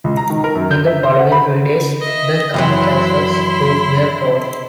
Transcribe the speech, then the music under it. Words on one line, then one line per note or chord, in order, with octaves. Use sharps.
In the following three days, the kamikazes took their toll.
C#2
A#5
D#3
A#4
F#2
G6
E5
C5
F#5
B5
D#5 E5
F#2 E3 F#3 E4 C6